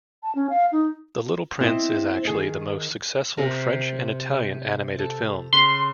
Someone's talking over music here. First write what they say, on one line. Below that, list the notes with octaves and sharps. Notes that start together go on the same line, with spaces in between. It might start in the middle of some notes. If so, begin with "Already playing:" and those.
"The Little Prince" is actually the most successful French and Italian animated film.
A5
C#4
F5
D#4
C4 E4 C5 D#5 G5
D#3 G#4 D#5
C3 A#4
A4
C#3 B4 C6